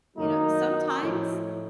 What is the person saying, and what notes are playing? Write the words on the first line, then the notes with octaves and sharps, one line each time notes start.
you know, sometimes
F#2 D#3 F#3 A#3 D#4
A2 F3 A3 C#4 E4